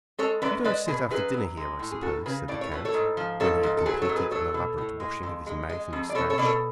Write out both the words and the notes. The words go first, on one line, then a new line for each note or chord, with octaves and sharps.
"You don't sit after dinner here, I suppose," said the count, when he had completed an elaborate washing of his mouth and moustache.
G#3 A4 C#5
F#2 B4 D5
G#3 B4 D5
B2 G#4 B4
F#2 G#4 B4
F#2
G#3
A2
G#4
F#2 F#4 A4
C#3 G#4 B4
A2 D5
C#5
A2 B4
A4 C#5
G#2
F3
G#2 A4 C#5
G#2
A4
F#3 G#4 B4
A4 C#5
G#2
G#4 B4
F#3 A4 C#5
B2
A2
G#3
F2
G#3
G#3
F2
D5
B2 A4 C#5
A4 C#5
B2 D5
A4 C#5